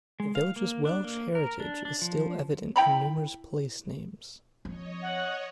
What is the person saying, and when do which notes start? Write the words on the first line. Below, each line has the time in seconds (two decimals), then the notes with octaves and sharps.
The village's Welsh heritage is still evident in numerous place names.
0.20 G#3
0.35 F5
0.56 A#3
0.85 D4
1.04 A#3
1.35 A#4
1.60 D4
1.85 D4
2.02 F3
2.76 E4 G5 A#5 B5
4.65 F3 C4 C#5 D#5
5.02 F#5